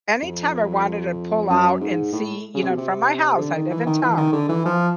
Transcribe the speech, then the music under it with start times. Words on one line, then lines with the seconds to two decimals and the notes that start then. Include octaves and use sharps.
anytime I wanted to pull out and see, you know, from my house I live in town,
0.23 F2
1.50 F#2
1.80 G#2
2.13 A2
2.54 C#3
2.62 C3
2.69 B2
2.77 C3
3.38 D3
3.55 D#3
3.70 E3
3.86 D#3
4.02 E3
4.17 D#3
4.33 D3
4.49 E3
4.65 F3